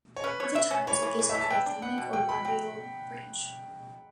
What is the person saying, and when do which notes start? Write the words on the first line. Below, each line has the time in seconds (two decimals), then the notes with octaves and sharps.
Other times, it gives off a thymic or bronchial branch.
0.16 C#5
0.24 C#4 B4
0.40 C#5
0.55 E5
0.71 C#4
0.87 E3 C#5
1.03 E3
1.19 E3
1.29 E5
1.35 E3
1.41 A5
1.50 B3 G5
1.66 D4
1.82 B3 F#5
1.98 B2
2.13 B2 G5
2.29 B2 B5
2.45 F#3 G5